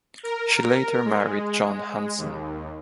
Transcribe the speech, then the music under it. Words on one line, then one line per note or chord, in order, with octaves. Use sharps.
She later married John Hansen.
A#4
G#3
D#2